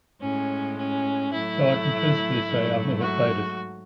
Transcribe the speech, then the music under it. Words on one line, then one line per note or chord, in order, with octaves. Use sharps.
So I can truthfully say I've never played it!
A2 G#3 C#4
C#4
A2 F#3 A3 E4
G#2 F#3 A3
F#4